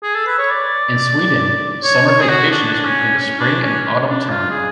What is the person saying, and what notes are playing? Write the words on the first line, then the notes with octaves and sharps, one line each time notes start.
In Sweden, summer vacation is between the spring and autumn term.
G#4
A4
B4
C#5
D5
C#5
C#5
G#4
F#4
D4
D4
C#4
C#4
D4
C#4
D4
F4
G#4